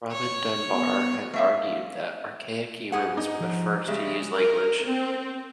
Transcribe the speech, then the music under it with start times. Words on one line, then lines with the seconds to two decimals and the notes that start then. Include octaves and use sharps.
Robin Dunbar has argued that archaic humans were the first to use language.
0.12 C#5
0.71 B3
1.33 A3 E5 F5
2.92 G#2 G#4 F#5
3.17 D#4
3.40 F3
3.88 C#3 G3 G#3 E5
4.33 A#4
4.86 C4